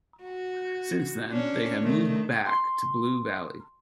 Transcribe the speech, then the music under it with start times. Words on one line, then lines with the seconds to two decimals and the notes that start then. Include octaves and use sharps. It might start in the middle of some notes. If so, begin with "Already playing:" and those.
Since then, they have moved back to Blue Valley.
0.23 F#4
1.30 C#4 D4
1.82 D#3 A3
2.46 C6